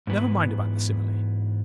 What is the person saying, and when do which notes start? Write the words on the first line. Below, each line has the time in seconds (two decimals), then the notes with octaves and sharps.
Never mind about the simile.
0.07 G#2 E3 B3